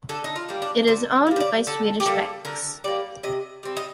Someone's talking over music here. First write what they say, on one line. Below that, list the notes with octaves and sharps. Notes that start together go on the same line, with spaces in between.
It is owned by Swedish banks.
D3 A4
D#4
F4
G3 A#3
D4
D3 C5
G3 A#3
C5
D5
D3 A4
G4
G3 A#3 A4
D3 A#4
G3 A#3 D5
C3 D#5
G3 C4
D#5